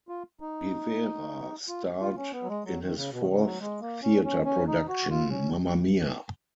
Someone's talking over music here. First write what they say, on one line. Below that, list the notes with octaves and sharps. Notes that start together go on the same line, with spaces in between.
Rivera starred in his fourth theater production, Mamma Mia!
F4
D#4
F4
F4
C#4
B3
F#3
G#3
F#3
D#3
C#3
B2
D#3
C#3
F#3
G#3
A#3
C#4
C#4
C#4
D#4
F#4
F4
C#4